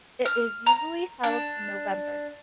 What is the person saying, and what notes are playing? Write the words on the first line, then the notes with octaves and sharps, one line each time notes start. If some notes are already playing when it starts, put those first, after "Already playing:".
It is usually held in November.
F6
A#5
D4